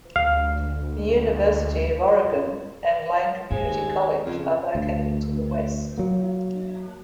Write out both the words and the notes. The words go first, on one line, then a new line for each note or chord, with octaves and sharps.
The University of Oregon and Lane Community College are located to the west.
D2 F5
D#2 G#3 C4
F2 C#3
D2
F#3 A#3